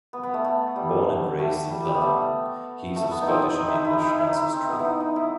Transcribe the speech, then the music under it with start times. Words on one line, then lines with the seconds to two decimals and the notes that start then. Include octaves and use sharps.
Born and raised in London, he is of Scottish and English ancestry.
0.13 B3
0.23 B3
0.34 A3
0.44 A3
0.76 G3
1.39 A3
1.70 G3
1.86 G3
1.94 B3
2.01 A3
2.96 A3
3.11 B3
3.21 D#4
3.27 C4
3.43 D#4
3.59 D#4
3.68 E4
3.76 D#4
3.85 E4
3.93 D#4
4.01 E4
4.10 D#4
4.18 E4
4.27 D#4
4.53 C4
4.69 B3
4.79 E4
4.85 D#4
5.00 D#4
5.16 E4